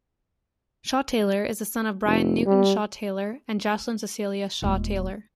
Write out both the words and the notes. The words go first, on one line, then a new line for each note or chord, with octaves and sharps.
Shawe-Taylor is the son of Brian Newton Shawe-Taylor and Jocelyn Cecilia Shawe-Taylor.
F1
G3
D#1 G#3